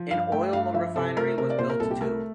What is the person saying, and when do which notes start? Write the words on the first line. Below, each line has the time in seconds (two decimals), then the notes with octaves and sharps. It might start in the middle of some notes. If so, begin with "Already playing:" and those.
An oil refinery was built too.
Already playing: F3
0.11 G2 F5
0.32 A3 G5
0.53 G2 F5
0.74 F3 E5
0.95 C3 A4
1.17 A3 A#4
1.38 C3 A#4
1.50 D5
1.59 A#2 C5
1.70 A#4
1.80 C2 A4
1.91 G4
2.01 A3 A#4